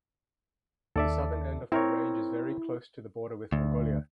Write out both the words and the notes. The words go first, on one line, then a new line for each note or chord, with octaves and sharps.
The southern end of the range is very close to the border with Mongolia.
D#2 A4 D5 E5
C4 E4 A#4 C#5
D2